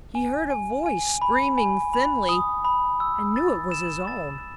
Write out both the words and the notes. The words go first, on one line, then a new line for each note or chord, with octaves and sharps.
He heard a voice screaming thinly, and knew it was his own.
G#5
G#5
G#5
B5
G#5
B5
D#6
B5
E6
A6
E7
A6